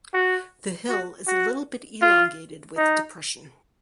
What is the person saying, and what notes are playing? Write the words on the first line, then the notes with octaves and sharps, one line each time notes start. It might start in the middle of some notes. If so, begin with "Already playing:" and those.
The hill is little bit elongated with depression.
F#4
F#4
F#4
F4
D#4